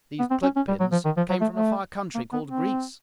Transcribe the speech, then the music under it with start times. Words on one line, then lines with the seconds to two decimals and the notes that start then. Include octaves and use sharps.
These cloak-pins came from a far country called Greece.
0.19 B3
0.30 C4
0.43 C#4
0.56 C#4
0.68 G3
0.80 F#3
0.92 F3
1.05 D#3
1.17 F3
1.30 F#3
1.41 A3
1.54 A3
2.15 A#3
2.33 B3
2.49 C4